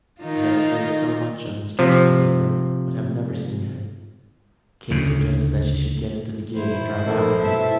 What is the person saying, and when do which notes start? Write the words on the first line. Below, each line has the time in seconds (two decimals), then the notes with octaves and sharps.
"I have heard so much of Mr. Cheesacre, but have never seen him." Kate suggested that she should get into the gig and drive after him.
0.21 D#3 D#4 F4
1.79 C3 F3
4.91 D2 C#3
6.54 A#2 D#3 E4 C5
7.06 A#1 A3 D#4 A4 A#4
7.40 B2 B3 E5 A5